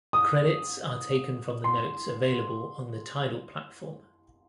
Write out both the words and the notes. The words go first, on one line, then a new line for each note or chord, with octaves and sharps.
Credits are taken from the notes available on the Tidal platform.
D#6
C6